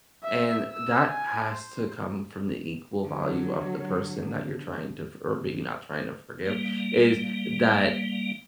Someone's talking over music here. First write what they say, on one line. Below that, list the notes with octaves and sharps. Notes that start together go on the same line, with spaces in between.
and that has to come from the equal value of the person that you're trying to for or maybe not trying to forgive, is that
E5
E6
G#5
C5
D3 F#3
G3 A#3